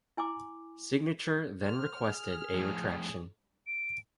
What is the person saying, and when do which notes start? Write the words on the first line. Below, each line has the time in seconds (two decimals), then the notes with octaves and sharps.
Signature then requested a retraction.
0.17 E4 G#5 C6 D6
1.63 C5 F6
2.07 G#4
2.54 F2 A2
3.67 D7